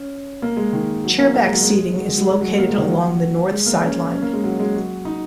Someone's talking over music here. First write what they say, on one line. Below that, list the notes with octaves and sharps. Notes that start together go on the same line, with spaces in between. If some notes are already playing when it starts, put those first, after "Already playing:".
Chairback seating is located along the north sideline.
Already playing: C#4
A#3
G#3
D#3
F#3
A#3
A#3
G#3
F#3
G#3
F#3
G#3
F#3
G#3
F#3
A#3
G#3
D#3
F#3
G#3
A#3
C#4
C#4
A#3
G#3
F#3
G#3
F#3
D#4